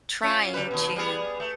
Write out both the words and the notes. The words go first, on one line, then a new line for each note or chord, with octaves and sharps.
trying to
C#4 F4
C#3 G3 B4
D#2 B2
G3 B3 G#4
A3